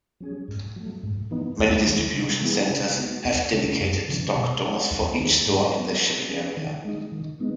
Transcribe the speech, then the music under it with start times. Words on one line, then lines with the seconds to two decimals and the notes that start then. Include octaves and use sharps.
Many distribution centers have dedicated dock doors for each store in their shipping area.
0.20 F#3 C#4 G#4
0.48 G#2
0.76 F#3 A3
1.03 G#2
1.31 E3 B3 D#4
1.59 D#2
1.86 D#3 G#3
2.14 C#3
2.41 E3 B3 E4 G#4
2.70 C#3
2.97 G#3 B3 D#4 F#4
3.25 D#2
3.52 C#3 G#3 C#4
3.80 F#2
4.08 C#3 E3
4.36 B2
4.63 G#3 D#4
4.91 D#2
5.18 D#3 A3 D#4 G#4
5.46 G#2
5.74 F#3 B3
6.02 F#3
6.30 C#4 G#4 B4
6.57 D#3
6.85 G#3 D#4
7.12 D#3
7.40 G#3 B3 D#4